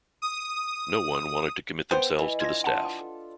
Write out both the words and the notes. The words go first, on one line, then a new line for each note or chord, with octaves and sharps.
No one wanted to commit themselves to the staff.
D#6
B3 G4 B4 C5
E3 D#5 B5
D4 F4 G#6 A#6
D4 F#5 A5
A4